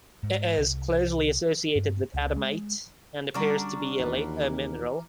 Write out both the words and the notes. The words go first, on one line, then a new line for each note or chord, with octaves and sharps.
It is closely associated with adamite, and appears to be a later mineral.
G#2
C2
G2
C#2
G#3
D3 G3 C#4 D4 F#4 A#5 D6 F6
D#2 E3